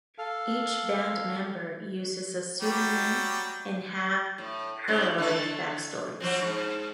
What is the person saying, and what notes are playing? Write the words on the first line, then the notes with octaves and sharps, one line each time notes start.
Each band member uses a pseudonym and have heroic backstories.
A4 F5
F#3 G3 G5
A2
G#2 C#3 G3
D3 A4
F3 F#3 C4
G#2